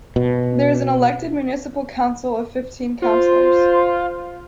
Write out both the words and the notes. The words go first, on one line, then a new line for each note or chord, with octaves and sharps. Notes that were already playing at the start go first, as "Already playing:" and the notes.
There is an elected Municipal Council of fifteen councilors.
B2
F4 C5